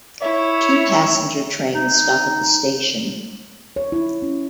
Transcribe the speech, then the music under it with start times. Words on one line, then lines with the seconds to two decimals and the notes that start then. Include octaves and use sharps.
Two Passenger trains stop at the station.
0.22 E4 C#5 E5
1.75 D#4
3.76 C#5
3.92 E4
4.22 C#4